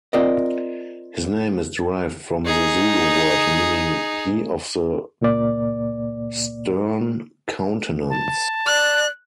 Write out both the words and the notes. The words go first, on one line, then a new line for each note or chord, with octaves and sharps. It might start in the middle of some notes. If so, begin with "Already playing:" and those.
His name is derived from the Zulu word meaning "he of the stern countenance".
C4 F4 A#4 D5 D#5
D#4 G#4
C#2 A#2 A#3 D5
A5
D5 F#6